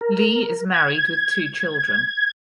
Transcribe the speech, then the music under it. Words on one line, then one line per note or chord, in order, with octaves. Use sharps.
Lee is married with two children.
A#4
G#6